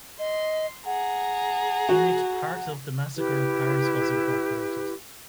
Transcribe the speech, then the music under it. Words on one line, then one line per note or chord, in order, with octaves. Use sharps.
In it part of the Massacre of Paris was incorporated.
D#5 C6
G#4 F#5 A#5
F#4
E4 G4 B4